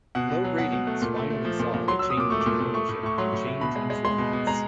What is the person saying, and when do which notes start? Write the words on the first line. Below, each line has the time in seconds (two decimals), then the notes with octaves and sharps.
Low ratings finally saw the change in ownership and change in formats.
0.15 B2 F#5
0.30 B2
0.44 F#3
0.58 B2 F#5
0.72 B2
0.87 A3
1.02 A#2
1.16 A3
1.30 A3
1.45 F3
1.60 A#2
1.74 A#2
1.88 F#3 C6
1.99 E6
2.02 F#3
2.10 D#6
2.17 A#2 D6
2.30 A3 C#6
2.41 D6
2.46 A#2
2.60 A#2
2.74 A3 C#6
2.89 A2
3.03 A2 C#6
3.18 F#3 C6
3.33 A2
3.47 A2
3.61 B2 B5
3.76 G#3
3.90 G#3
4.05 G#3 C6
4.18 B2
4.33 B2
4.47 G#3 A#5